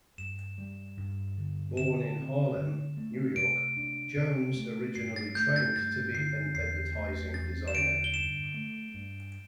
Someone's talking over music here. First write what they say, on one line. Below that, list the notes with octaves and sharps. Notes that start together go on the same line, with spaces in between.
Born in Harlem, New York, Jones originally trained to be an advertising designer.
G2 E7
G3
G2
D3
D3 E7
C4
D3
A3
C3 D7
D4
C3
A3
G2 C7
A6
A3 G6
A6
G2 A6
D3 C7
E2 C7
A3
E2 A6
E7
D3 D7
G7
G2 E7
A3
G2